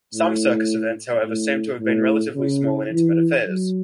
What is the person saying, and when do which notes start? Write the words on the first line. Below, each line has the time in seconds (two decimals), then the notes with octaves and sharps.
Some Circus events, however, seem to have been relatively small and intimate affairs.
0.14 A2
1.24 A2
1.80 A2
2.35 C#3
2.90 E3
3.46 F#3